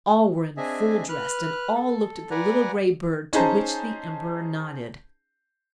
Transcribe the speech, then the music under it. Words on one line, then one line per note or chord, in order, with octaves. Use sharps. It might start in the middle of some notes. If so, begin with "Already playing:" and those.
All were in full dress, and all looked at the little gray bird, to which the Emperor nodded.
C4 D4 G#4 D#5 E5 G#5
B4 F6 F#6
A4
B4 D5 F#5 G#5 A#5
C#4 D#4 G#4 C5 A5 A#5